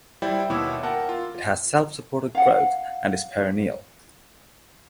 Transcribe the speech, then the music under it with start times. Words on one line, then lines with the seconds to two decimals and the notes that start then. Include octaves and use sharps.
It has self supporting growth and is perennial.
0.22 G3 E4 C5 D5 G5
0.50 D#2 B2 E4 C#5 D6 E6
0.83 A#4 F#5 G5 A5
1.09 F4
2.35 F5 F#5